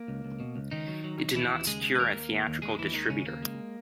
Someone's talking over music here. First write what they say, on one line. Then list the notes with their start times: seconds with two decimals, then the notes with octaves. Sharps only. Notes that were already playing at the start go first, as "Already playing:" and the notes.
It did not secure a theatrical distributor.
Already playing: A#3
0.08 C#2
0.24 C#2
0.40 B2
0.56 C#2
0.71 C#2 D#3 D#4
0.88 F#3
1.04 F#3
1.19 F#3
1.35 D#2 E3 E4
1.52 D#2
1.67 C#3 G#3 G#4
1.83 G#3
1.95 B4
1.98 D#2 A#3 A#4
2.15 D#2
2.30 D#2
2.47 D#2
2.62 D#2 G#3 G#4
2.79 D#2 E3 E4
2.94 D#3 G#3 D#4
3.10 D#2 C#3 C#4
3.26 C#3 A#3
3.42 G#3